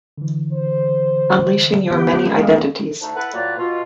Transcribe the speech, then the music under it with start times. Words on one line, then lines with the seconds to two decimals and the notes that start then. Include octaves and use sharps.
"Unleashing Your Many Identities".
0.18 D3 E3
0.52 C5
1.92 B3 G4
2.34 D#2 G#3 A#3
3.01 D2 A3 D4 D#4
3.15 E4 A4 B4 F#5
3.33 A2 F#3 A#3 F4 B4 D5
3.58 B2 F4